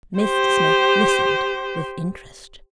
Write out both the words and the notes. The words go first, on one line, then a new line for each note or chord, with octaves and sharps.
Mr Smith listened with interest.
G4 C5